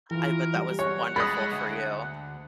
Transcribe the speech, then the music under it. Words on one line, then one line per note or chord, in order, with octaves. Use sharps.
I bet that was wonderful for you.
E3 F4 A#4
G3
C#5 F#5
G#3 B5 D#6 A6
D2